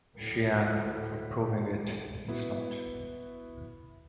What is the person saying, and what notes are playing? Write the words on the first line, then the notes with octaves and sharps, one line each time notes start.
Chiang for proving it is not.
D2 A2
B3 E4 F#4